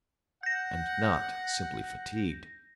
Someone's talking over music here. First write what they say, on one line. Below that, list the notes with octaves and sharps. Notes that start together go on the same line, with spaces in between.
And not simply fatigued!
F#5 G6 A#6